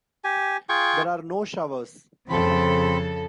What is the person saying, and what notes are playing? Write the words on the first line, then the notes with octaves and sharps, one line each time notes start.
There are no showers.
G4 G#5
F4 G#4 G5 C#6
F2 C#3 C4 A4 B5